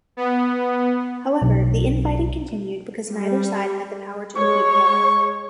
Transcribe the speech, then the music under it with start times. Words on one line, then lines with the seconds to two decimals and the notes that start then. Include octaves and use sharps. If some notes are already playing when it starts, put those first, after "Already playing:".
However, the infighting continued because neither side had the power to defeat the other.
0.17 B3
1.42 B1
3.11 G3
4.37 G#3 C#5 C#6